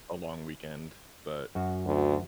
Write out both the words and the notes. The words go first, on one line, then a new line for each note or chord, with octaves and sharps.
a long weekend. But,
F#2 F#4
D2